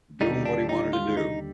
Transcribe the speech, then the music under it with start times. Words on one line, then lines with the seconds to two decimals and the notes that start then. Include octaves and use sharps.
Doing what he wanted to do.
0.21 D#2 D3 G3 D#4
0.45 D4
0.69 D#4
0.93 F4
1.17 D#4